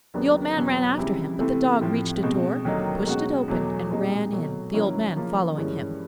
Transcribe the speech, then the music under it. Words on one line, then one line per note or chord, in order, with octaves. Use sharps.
The old man ran after him, but the dog reached a door, pushed it open, and ran in, the old man following him.
D#2 C#3 F#3 B3 D4
E2 B2 F#3 B3
C#3 E3 G3 C4 E4
C3 E3 A3 C4
A2 F3 A3 C4
B2 G#3 C4
D#2 D3 F#3 A#3 D#4
B2 G#3 C#4 F#4
E2 B2 F#3 A3
A#2 G3 C4 D#4 G#4
B2 F#3 A3
D#3 F#3 A#3 C#4 E4
C#3 F3 A#3 C#4 F4
G2 E3 G#3 C#4